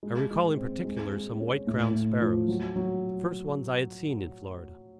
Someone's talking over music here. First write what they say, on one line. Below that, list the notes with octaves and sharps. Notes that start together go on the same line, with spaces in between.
I recall in particular some white-crowned sparrows, the first ones I had seen in Florida.
G#3
G#3
C4
G#3
G#3
C#4
A2
A2
F3
F#3
F#3